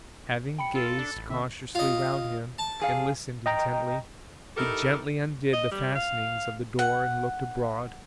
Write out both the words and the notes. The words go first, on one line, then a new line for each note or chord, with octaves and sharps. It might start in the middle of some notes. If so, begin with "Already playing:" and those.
Having gazed cautiously round him, and listened intently, he gently undid the fastenings of the door, and looked abroad.
G5 B5 C#7
F4 A4 B5
D4
A1
D3 B3 C4 E5
F4 D#5
A5
F2 G#4 F5
D#5 G5 A#5
D#4 E4 G4 A4 A#4
D#5
G3
F5
F#5